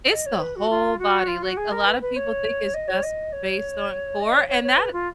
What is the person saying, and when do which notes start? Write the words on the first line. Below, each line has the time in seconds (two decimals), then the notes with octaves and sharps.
It's the whole body, like, a lotta people think it's just based on core, and that
0.11 D#5
0.26 C#5
0.40 B4
0.56 F#4
0.70 F4
0.99 F#4
1.27 F4
1.42 F#4
1.57 G#4
1.72 A#4
1.86 B4
2.01 B4
2.16 C#5
2.74 D#5
2.88 C#5
3.03 D#5
3.32 C#5
4.20 D#5
4.34 C#5
4.48 C#5
4.63 C#5
4.78 B4
4.93 F4